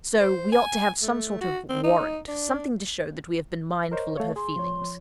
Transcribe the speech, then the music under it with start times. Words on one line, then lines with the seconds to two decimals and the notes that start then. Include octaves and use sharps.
So we ought to have some sort of warrant, something to show that we have been mindful of her feelings.
0.21 C5
0.52 G#5
1.02 A3
1.41 F#4
1.70 C4
1.84 D#4
2.28 D4
3.92 A#4 C5 C#5 D#5
4.17 A3 C#5 F5
4.36 G#4 C6
4.56 F3 C#5